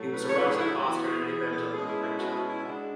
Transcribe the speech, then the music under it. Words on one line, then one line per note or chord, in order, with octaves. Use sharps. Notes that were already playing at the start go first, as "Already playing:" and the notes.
He was a writer, pastor and an evangelical preacher.
Already playing: A2 F#3 A3
B4
C#5
A2 F#3 A3 B4
G#4
E4
F#4
E3 B3 E4 F#4
G#4
E3 B3 E4 G#4
A4
B2 G#3 C#4 E4 G#4
E4
E4
B2 G#3 C#4 E4 F#4
G#4
E4
C#3 G#3 D4 F#4